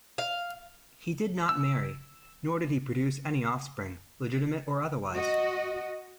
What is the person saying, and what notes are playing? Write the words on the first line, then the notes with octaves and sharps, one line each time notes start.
He did not marry, nor did he produce any offspring, legitimate or otherwise.
F5
E6
F#4 D#5